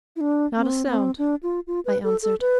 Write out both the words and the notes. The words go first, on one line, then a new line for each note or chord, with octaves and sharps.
"Not a sound!" I answered.
E4
D4
C4
B3
C4
D4
F4
F4
B4
A4
A4
B4